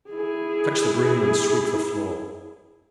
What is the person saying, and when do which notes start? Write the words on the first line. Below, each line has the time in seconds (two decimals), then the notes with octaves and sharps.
Fetch the broom and sweep the floor.'
0.10 E4 G#4